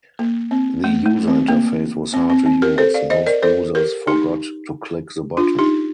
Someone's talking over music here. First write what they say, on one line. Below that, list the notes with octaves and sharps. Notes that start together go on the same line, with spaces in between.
The user interface was hard to use - most users forgot to click the button.
A#3
C4
A3
A3
C4
A#3
C4
C4
C4
G4 A#4
A4 C5
D5 F5
C5 D#5
A#4 D5
A4 C5
G4 A#4
D#4 G4
D4 F4
D#4 G4